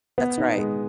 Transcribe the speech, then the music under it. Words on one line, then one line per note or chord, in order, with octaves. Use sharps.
That's right.
B3
D#4
G#3